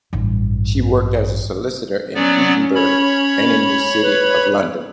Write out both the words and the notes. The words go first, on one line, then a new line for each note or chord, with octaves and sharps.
She worked as a solicitor in Edinburgh and the City of London.
A1 G2
F#3 B3 C#4 D5
C#5 B5
B4